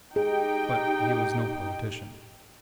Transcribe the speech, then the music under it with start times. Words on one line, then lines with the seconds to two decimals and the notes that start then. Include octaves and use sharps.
But he was no politician.
0.16 D#4 G4 G#4 G5